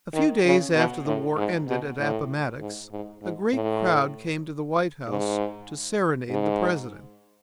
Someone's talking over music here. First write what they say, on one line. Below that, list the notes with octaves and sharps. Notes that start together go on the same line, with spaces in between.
A few days after the war ended at Appomattox, a great crowd came to the White House to serenade the President.
D#3
C#3
B2
A2
G#2
B2
A2
G#2
G#2
G#2
A2
G#2
G#2